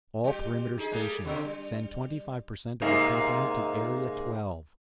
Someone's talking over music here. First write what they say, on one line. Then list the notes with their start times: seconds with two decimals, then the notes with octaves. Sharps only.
"All perimeter stations send twenty-five per cent of your complement to Area Twelve."
0.24 G3 G4
0.78 D#4 G#4
0.91 G3 A3 G#4
1.25 B2 D3
1.44 G3
2.82 G#2 C3 A#3